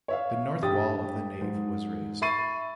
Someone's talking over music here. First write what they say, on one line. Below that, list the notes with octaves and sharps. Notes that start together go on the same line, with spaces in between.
The north wall of the nave was raised.
C#5 E5 F5
G2 G4 G5 D#6 A6
G#2
E5 B5 C#6 A6 C7 D#7